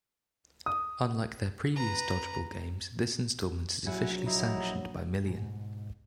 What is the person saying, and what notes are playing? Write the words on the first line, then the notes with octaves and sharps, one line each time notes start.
Unlike their previous Dodgeball games, this installment is officially sanctioned by Million.
D#6
B4 A#5
A#1 F#3 E4 F#5 G#5
D#4 E4 A#5
G#2 B2 G#3